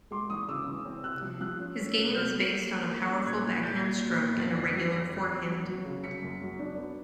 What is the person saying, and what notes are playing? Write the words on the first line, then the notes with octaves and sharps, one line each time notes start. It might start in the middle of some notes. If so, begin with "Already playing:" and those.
His game is based on a powerful backhand stroke and a regular forehand.
G#3 C6 D6
E3 C#6 D#6
C#3 D6 E6
E3
C4
C3 E6 F#6
F3
F3 E6 F#6
C#4
C#4
C3
F#3 F6 G6
F#3
A#3
F#3
A#3
C#4
A#2 F#6 G#6
E4 F#6 G#6
A#2 G6 A6
F#3 G#6 A#6
A#2
B3
F2 A6 B6
D3 A#6 C7
F#3 A#6 C7
F2 A#6 C7
F2
F2
F#3
F#3
C#3
C#3 B6 C#7
F#2
F#3
D4
B3